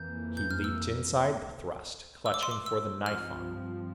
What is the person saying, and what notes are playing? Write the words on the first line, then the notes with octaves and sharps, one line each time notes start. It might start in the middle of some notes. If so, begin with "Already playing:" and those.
He leaped inside the thrust, clutching for the knife arm.
Already playing: F2 E3 A#3 G6
G6
F6
E6
E6
D6
C6
D6
E6
G2 F3 C4 F6